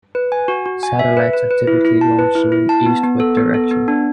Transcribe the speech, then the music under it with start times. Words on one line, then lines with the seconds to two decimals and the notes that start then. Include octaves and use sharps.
Satellites are typically launched in an eastward direction.
0.15 B4
0.32 G#5
0.48 F#4
0.66 F#4
0.83 G#5
0.99 E5
1.17 B4
1.33 B4
1.51 B4
1.67 E4
1.85 E4
2.01 A5
2.19 B4
2.35 E4
2.52 E4
2.69 A5
2.86 B3
3.04 B3
3.20 A4
3.37 B3
3.54 A4
3.71 B3
3.88 D4